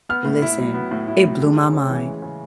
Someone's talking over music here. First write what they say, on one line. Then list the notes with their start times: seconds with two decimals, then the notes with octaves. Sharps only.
listen. It blew my mind.
0.09 B3 F6
0.25 A2
0.42 E4
0.58 F#3
0.74 B3
0.91 A2
1.08 E4
1.23 F#3
1.40 G#3
1.56 C#3
1.73 C#4
1.89 E3
2.05 G#3
2.22 C#3